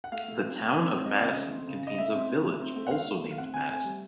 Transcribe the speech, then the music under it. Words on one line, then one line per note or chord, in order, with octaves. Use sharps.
The Town of Madison contains a village also named Madison.
F#5
A3 F5
A3
C4
A3
C4
C4
C4 D#5
D5
C#3 D#5
A3
C4
C#3
C#3 D#5
A3 E5
C4
A3
A3
C4
A3
F#5
A3 F5
A3
A3
F5
C4 F#5
C4 G#5
A3 G#5
G3